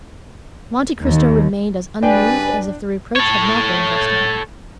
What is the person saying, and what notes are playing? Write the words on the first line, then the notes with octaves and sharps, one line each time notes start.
Monte Cristo remained as unmoved as if the reproach had not been addressed to him.
D#2
G2 C#3 D4 B4 D5 G5 G#5
A4 C#5